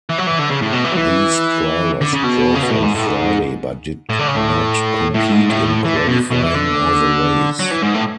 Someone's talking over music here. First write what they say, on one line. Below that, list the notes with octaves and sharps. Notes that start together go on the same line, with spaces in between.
These drivers drove on Friday but did not compete in qualifying or the race.
E3
F#3
E3
D3
C#3
A2
B2
E3
F#3
E3
D3
C#3
B2
C#3
B2
A2
G#2
A2
G#2
A2
D3
C#3
A2
A2
G#2
A2
E3
D3
B2
B2
E3
D3
F#3
E3
G#2
A2